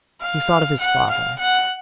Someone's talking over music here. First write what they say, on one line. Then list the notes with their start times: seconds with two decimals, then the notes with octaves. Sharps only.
He thought of his father.
0.22 F5
0.80 F#5
1.10 F5
1.39 F#5